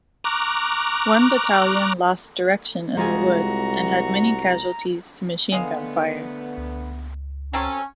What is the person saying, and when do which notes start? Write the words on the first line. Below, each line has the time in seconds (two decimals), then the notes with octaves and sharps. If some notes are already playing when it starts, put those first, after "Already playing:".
One battalion lost direction in the wood and had many casualties to machine-gun fire.
0.24 A#5 C#6 D6 F6 F#6
2.97 C2 G#3 F4 F#4 G#4 A#5
5.52 D3 G#3 A3 B3 D#5 F5
6.57 C#2
7.53 F#3 C4 C#4 A4